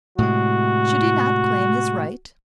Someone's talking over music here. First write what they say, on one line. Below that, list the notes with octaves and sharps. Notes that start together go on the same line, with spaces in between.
Should he not claim his right?
A2 C3 G#3 F#4